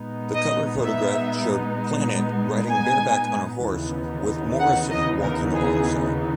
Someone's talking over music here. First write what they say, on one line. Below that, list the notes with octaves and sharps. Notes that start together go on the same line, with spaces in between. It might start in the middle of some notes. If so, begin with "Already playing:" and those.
The cover photograph showed Planet, riding bareback on a horse, with Morrison walking alongside.
Already playing: A#2 G#3 B3 D#4
D#5
E5
G#5
D#2 C#3 E3 B3 D#4
F#5
D#5
A#4
G#4